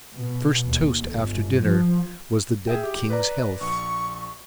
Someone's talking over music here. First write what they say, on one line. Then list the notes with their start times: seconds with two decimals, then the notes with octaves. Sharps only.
The first toast after dinner was the dead king's health.
0.14 B2
0.67 D#2
1.08 G1
1.62 F3
2.67 G#4 E5 G5
2.83 G4
3.10 B4 D5 A#5
3.61 A#1 C#6